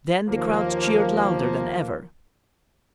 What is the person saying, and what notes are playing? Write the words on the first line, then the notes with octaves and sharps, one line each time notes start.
Then the crowd cheered louder than ever.
D#2 F3 A#3